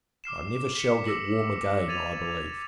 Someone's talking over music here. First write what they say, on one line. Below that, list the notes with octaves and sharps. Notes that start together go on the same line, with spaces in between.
I never shall get warm again, I believe.
D6 F6 C7 E7
B6 C#7
D6 E6 A#6 F#7
D6
G#6 A6 D#7 F7